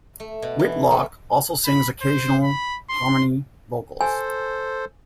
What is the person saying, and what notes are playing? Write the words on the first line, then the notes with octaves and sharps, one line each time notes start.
Whitlock also sings occasional harmony vocals.
A3
B2
E3
A3
B5
C5
B5
C6
A4 C5 G#5